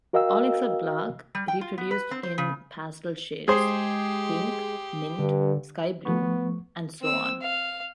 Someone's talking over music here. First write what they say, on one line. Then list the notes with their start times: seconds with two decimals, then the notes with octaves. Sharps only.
All except black reproduced in pastel shades: pink, mint, sky blue, and so on.
0.13 F#4 A#4 D#5 F5 G5 E6
1.35 G3
1.48 G5
1.61 F4
1.78 B3
1.91 B4
2.11 C4
2.23 C5
2.38 C#3
3.48 G#3 G4 G#4 C5
5.19 G2 D3
6.05 F3 A3 B3 C#6
7.01 C4 E6
7.42 F5